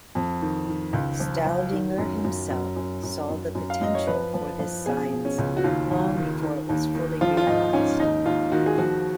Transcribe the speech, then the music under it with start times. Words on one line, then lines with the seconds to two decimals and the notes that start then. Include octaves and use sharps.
Staudinger himself saw the potential for this science long before it was fully realized.
0.15 F2
0.41 D#3
0.68 D#3
0.93 C#2
1.19 F3
1.46 F3
1.72 D#3
1.98 F#2
2.24 F#2
2.50 F#2
2.76 F#2
3.03 F#2
3.29 F#2
3.55 F#2
3.70 F5
3.81 F#2 D#5
3.95 C#5
4.07 F3 B4
4.34 F3
4.59 F3
4.86 B2 G#4
5.12 B2
5.25 C#4
5.38 C#2
5.57 F#4
5.64 D#2 F4
5.90 D#2
6.16 D#3
6.42 D#3
6.69 D#2
6.95 D#3
7.21 F3 F4
7.37 F4
7.47 G#2 D#4
7.73 G#2 C#4
7.99 D#2 D#4
8.26 D#2 F4
8.52 D#3 F#4
8.66 G#4
8.78 F3 F#4